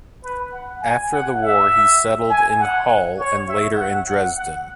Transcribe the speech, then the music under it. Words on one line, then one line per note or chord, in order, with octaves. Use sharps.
After the war he settled in Halle and later in Dresden.
B4
F#5
G#5
F#5
E5
G#5
F#5
C#5
E5
F#5
F#5
F#5